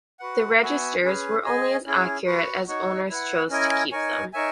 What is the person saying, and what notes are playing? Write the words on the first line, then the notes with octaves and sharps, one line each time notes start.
The Registers were only as accurate as owners choose to keep them.
F#4 B4 F#5
B3 F#4 B4 E5 G#5
C#4 G#4 B4
G#4 D#5 G#5
C#4 E4 G#4
F#4 B4 F#5
D#4 F#4 C#5
E4 B4 F#5
C#4 E4 A#4 D#5 G#5
D#4 A#4 C#5 G#5
D#4 A#4 C#5 E5 G#5